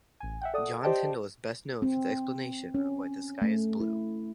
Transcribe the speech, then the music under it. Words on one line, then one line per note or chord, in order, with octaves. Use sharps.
John Tyndall is best known for the explanation of why the sky is blue.
A1 G#5
E5 F#5 G5
A4 D5 F#5 D#6
G4 C5 D5 D#5 G5 A5
C4
C#4
A3
E4